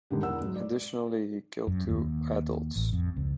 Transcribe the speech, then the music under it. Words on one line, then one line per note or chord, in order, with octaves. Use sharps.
Additionally, he killed two adults.
G#2 D3 D#3 G3
E2 B3 A#4 F#5 E6
G#2 F#3
D5
F#2
D#2
A1
F2
C#2